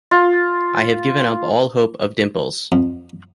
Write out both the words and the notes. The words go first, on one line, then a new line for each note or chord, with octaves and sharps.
I have given up all hope of dimples.
F4
F2